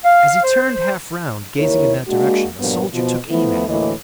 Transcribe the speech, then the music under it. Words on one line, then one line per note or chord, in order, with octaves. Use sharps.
As he turned half round, gazing in that direction, a soldier took aim at him.
F5
C5
C5
D#2 E4 A#4 C#5
G#3 A#3 D4 F#4
G2 A#2 F3 F#3 A#3 B3
B2 F3
F3 A3 B3 E4
D2 A2 E3 A#3 C#5 D#5